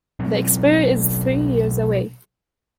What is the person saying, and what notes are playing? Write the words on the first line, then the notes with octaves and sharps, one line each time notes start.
The expiry is three years away.
B2 F#3 C4 C#4